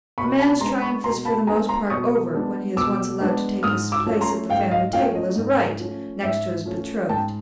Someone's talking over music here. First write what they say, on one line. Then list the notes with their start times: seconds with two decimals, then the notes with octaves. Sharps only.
A man's triumph is for the most part over when he is once allowed to take his place at the family table, as a right, next to his betrothed.
0.18 B2 B5 C#6
0.39 A5 B5
0.60 G#3 B3 D4 A#5 C6
0.82 B5 C#6
1.04 B2 A#5 C6
1.25 A5 B5
1.47 G#3 B3 D4 G#5 A#5
1.69 A#5 C6
1.90 B2 C#6 D#6
2.34 G#3 B3 D4
2.76 B2 D6 E6
3.20 G#3 B3 D4
3.63 G#2 D#6 F6
3.92 D6 E6
4.06 F3 A3 C#4
4.21 A#5 C6
4.50 G#2 F5 G5
4.71 D#5 F5
4.93 F3 A3 C#4 F5 G5
5.15 D#5
5.36 G#2
5.80 F3 A3 C#4
6.23 G#2 E5
6.66 F3 A3 C#4
7.09 G#2 G5 A5